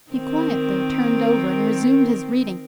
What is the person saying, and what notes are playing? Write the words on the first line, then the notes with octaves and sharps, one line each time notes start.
He quietly turned over, and resumed his reading.
D#3 C4 A#4